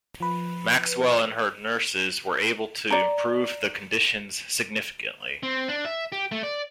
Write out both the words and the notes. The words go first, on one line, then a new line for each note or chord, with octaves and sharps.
Maxwell and her nurses were able to improve the conditions significantly.
F3 B4
D5 A#5
C4
D4
E5
G4
A3
D5